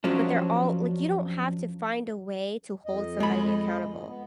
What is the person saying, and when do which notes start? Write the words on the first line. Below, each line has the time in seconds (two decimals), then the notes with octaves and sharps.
but they're all like you don't have to find a way to hold somebody accountable.
0.04 F2 F3 F#3 C#4 D4
2.86 F2 D#5
3.20 G#3 B5
4.08 B3